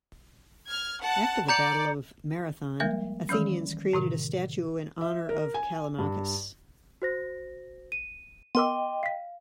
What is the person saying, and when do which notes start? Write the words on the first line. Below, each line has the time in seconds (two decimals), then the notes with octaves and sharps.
After the battle of Marathon, Athenians created a statue in honour of Callimachus.
0.67 F6 G#6
1.02 F#5 A5
1.49 D5 A#5 G6 C#7
2.80 F3 G3 G#3 A#3 A#4 E5
3.29 D#3 E3 G3 C#4
3.93 A2 C3 D#3
5.01 E5
5.29 A#4
5.54 G#5
5.98 G2
7.02 F#4 C5 A#6
7.92 D#7
8.55 B3 A#4 D#5 G5 C6 D6 E6
9.03 F5 B6 C7